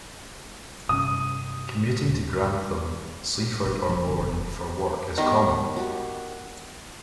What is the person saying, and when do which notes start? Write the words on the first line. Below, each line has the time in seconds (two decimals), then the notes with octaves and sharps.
Commuting to Grantham, Sleaford or Bourne for work is common.
0.89 G2 C3 C#4 D#6
2.05 D#2 G#3
3.65 D4
3.90 F2
4.06 D3
4.19 E1
5.18 D#3 G3 B3 A#5
5.77 F#4 G4